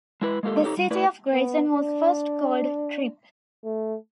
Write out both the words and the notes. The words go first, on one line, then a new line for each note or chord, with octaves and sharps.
The city of Grayson was first called Trip.
G#3 E4 B4
G#3 A#3 F4 G4 A4
D#4 G4 A4 C#5
G3
A3 E4 B4 D5
B3
D4
A3